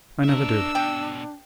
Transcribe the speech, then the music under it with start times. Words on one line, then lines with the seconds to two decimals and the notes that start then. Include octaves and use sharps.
"I never did."
0.24 D4 A#4 E5 E6
0.75 B2 D3 G5